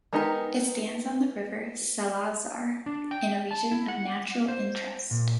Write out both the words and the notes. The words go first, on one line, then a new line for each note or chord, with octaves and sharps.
It stands on the River Salazar in a region of natural interest.
G#3 B3 D#4 G4 A#4
D4
G5
A5
E4
F#5
C5
A#2